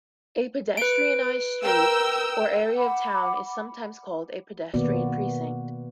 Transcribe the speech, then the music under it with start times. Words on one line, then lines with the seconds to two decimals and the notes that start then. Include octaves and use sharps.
A pedestrianised street or area of a town is sometimes called a "pedestrian precinct".
0.77 B4 D7
1.64 A#4 G5 E6
2.76 F#5 B5 D6
4.74 B2 D#3 A#3 B3 F#4 D5